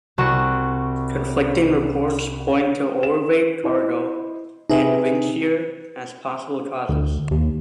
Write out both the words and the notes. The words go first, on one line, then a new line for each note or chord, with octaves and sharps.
Conflicting reports point to overweight cargo and windshear as possible causes.
C2 C4 F#4 C#6 E7
E7
E4 C5 D#5
C3 D#4 G#4 B4 E5
D2
D#2